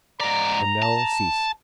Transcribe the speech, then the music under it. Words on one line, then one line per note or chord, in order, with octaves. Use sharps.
The knell ceased.
G#2 D5 A#5
A5